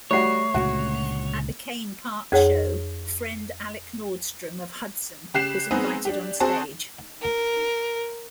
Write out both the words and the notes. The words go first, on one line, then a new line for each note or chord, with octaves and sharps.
At the Cain Park show, friend Alec Nordstrom of Hudson was invited onstage.
G3 A3 F#4 C#5 C7
C#2 A#2 D3 F#4
F2 G#4 C#5 F#5
C#3 G4 F#6 C7 E7
G#3 B3 C4 D#4 G#4
D4 G4
C4 F#4 G#4 C5 A5
A#4